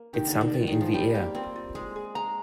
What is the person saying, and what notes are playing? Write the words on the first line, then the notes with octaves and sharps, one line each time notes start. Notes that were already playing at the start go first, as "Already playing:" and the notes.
It's something in the air.
Already playing: A#3
D#3 G4
D3
G4
D#3
D#3 D5
D#3
G#4
F3
G3 G4
A#3 G4
C4 F4
F4
G#3 G#4
G#4
G#3 A#5